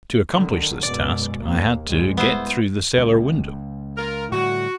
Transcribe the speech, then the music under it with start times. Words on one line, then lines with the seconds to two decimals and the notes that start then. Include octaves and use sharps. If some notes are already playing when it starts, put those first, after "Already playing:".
To accomplish this task I had to, get through the cellar window.
0.32 D3 D#3 F#3
0.83 F#2 B2 G#3 D5
1.39 D#2 A#3
1.86 C2 G#2 G#3
2.17 B3 E4 C5
2.98 C#2
3.97 F4 A#4
4.32 A2 D3 G3 F#4